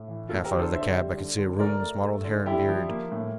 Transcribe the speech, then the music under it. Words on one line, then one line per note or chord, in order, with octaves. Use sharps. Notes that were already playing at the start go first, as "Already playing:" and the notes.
Half out of the cab I could see Rooum's mottled hair and beard.
Already playing: A2
E3
A#3 F4 A4
G4 A#4
D3
A4 C5
D3 C5 E5
G3
D3
D3
A3 A#4 D5
A3
A3
D3
D3 E4 G4
F3
A#3
A2